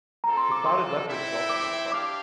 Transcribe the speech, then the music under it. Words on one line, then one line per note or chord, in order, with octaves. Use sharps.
The clouded leopard is also in the park.
C4 F4 A4 A#5
C6
D6
C6
C4 E4 A4 E5 G5
D6
D4 G4 F5 D6